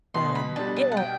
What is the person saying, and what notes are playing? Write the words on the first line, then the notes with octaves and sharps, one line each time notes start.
Um, yeah.
B2 C6
B5
G3 D4 A5
A5
F#5
G5